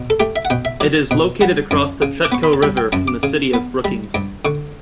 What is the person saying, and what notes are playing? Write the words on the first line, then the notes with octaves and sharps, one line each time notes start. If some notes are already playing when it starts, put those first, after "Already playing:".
It is located across the Chetco River from the city of Brookings.
Already playing: B2
A4
A3 G4
E5
F#5
B2 G5
E5
F#3 D5
B2
G3 F#5
F#2
C#3
D6
B3 C#6
B5
A5
G3 G5
G5
F#2 A5
D6
C#3
B3
G3
G2
D3 C#6